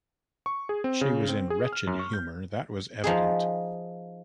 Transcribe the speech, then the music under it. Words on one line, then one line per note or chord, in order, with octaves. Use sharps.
She was in wretched humor; that was evident.
C#6
G#4
C4
C#3
C4
G#4
F6
F#2
C#6
G6
F3 D#4 G#4